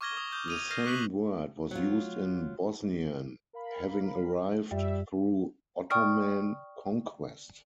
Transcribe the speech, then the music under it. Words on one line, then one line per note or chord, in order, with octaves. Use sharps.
The same word was used in Bosnian, having arrived through Ottoman conquest.
C#6 D6 F6 G#6 A#6 G7
D#6
D#6 G6
D#6 D#7 F7
F6 G6 A#6 C7
C#6 D6 F#6 B6 F#7
F#3 F4
A#4 F5 B5
F#2 G3 E5
D5 G5 C#6 D#6 F6